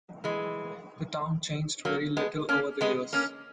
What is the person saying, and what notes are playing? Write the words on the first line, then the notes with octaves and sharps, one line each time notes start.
The town changed very little over the years.
E3 G#3
F#3 A#3
G#3 B3
A#3 C#4
G#3 B3
A#3 C#4